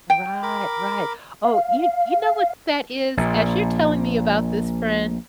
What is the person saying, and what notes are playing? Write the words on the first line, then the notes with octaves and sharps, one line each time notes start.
Right, right. Oh, y you know what that is, as you're telling me about this friend,
G5
A#4 B5 D6
F5
A#1 A#2